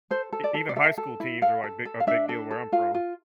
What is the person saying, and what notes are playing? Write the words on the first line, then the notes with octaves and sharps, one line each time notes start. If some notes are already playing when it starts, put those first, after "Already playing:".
e even high school teams are, like, big a big deal where I'm from.
A4 C5
A4
D5
A4
D5
A4 E5
A4
E4
A4 F5
A4
A4
F5
D4 E5
A4
A4
F4 F5
F4